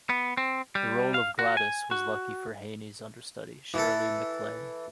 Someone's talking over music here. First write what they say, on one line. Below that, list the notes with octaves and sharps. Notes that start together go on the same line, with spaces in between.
The role of Gladys was lucky for Haney's understudy, Shirley MacLaine.
B3
C4
G3
F5
F#4
G#5
F#4
E3 A4